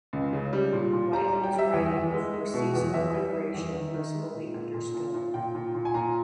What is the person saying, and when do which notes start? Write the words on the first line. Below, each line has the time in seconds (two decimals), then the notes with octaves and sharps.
White was writing before seasonal migration was fully understood.
0.13 C#2
0.33 C#3
0.53 G3
0.73 A#2
0.93 A#2
1.13 G3 A#5
1.28 G3 A#5
1.43 G5
1.53 G3
1.58 E5
1.73 E2
1.93 E2
2.14 G#3
2.33 G#3
2.54 B2
2.74 E2
2.94 E2 E5
3.14 G3
3.34 G3
3.54 E2
3.74 D#3
3.94 D#3
4.14 G#3
4.34 A#2
4.54 A#2
4.74 A#2
4.94 A#2
5.14 A#2
5.34 A#2 G5
5.55 A#2
5.75 A#2
5.85 G#5
5.94 A#2 A#5